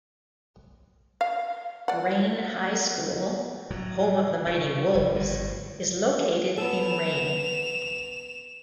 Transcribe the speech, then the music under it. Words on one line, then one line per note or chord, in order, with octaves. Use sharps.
Rayne High School, home of the Mighty Wolves, is located in Rayne.
F5
D5 F#5
A2 F#3
C#3
F1
G1 A2
B3 A4 E7 F7